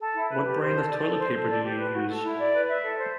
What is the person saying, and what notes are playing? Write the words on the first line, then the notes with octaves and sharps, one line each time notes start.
What brand of toilet paper do you use?
A4
E4
B4
G4
C5
A4
D5
A4
C5
A4
D5
G4
B4
F#4
A4
E4
D5
B4
E5
A4
C5